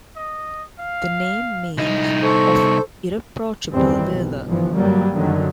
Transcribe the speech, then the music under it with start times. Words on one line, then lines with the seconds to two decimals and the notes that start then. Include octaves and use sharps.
The name means "of irreproachable valor".
0.16 D#5
0.80 F5
1.77 C2 D#4
2.23 A4 C5 C#6
3.71 E2 G2 D#3 E3 G3 C4
4.06 B1
4.46 G1 G2 E3 F3
4.74 G2 F#3 G3 A#3
5.16 F#2 D3 D#3 F#3